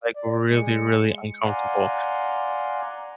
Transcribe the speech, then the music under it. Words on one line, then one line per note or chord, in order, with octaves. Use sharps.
like, really, really uncomfortable,
D5
G#3 C#7
D5 F5 F#5 G#5 A#5 C6